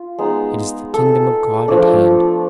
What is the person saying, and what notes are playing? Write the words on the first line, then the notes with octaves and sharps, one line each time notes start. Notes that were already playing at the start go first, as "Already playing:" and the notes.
It is the Kingdom of God at hand.
Already playing: F4
G#3 B3 D#4
A4
F3 A3 D4